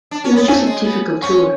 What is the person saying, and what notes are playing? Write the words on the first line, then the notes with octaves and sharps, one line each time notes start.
It was just a difficult tour.
D4
C#4
B3
A3 G#5
G#3
B3
C#4 C#6